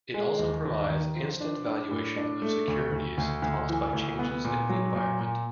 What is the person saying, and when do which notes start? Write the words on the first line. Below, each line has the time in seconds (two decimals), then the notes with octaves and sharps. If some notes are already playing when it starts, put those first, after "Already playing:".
It also provides instant valuation of securities caused by changes in the environment.
0.14 G#3
0.39 D#2
0.65 D#2
0.90 D#3
1.15 F3
1.40 D4
1.66 D4
1.91 A2
2.16 D4
2.42 A3
2.68 D2
2.92 D2
3.18 D2
3.42 D2
3.69 E3
3.93 D2
4.19 B3
4.45 A#2
4.69 F#3
4.95 A#2
5.21 A#2